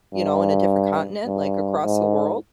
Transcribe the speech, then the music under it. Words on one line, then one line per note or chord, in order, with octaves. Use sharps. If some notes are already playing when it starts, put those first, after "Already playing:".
you know, in a different continent, like, across the world.
G2
G2
G#2